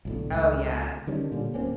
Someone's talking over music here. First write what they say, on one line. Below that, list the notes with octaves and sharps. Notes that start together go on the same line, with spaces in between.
Oh, yeah.
B1 A2 D3
C#2 A3
D3 D#3 G3 C#4
A#2 D3 G3
D1 A#3 C4 C#4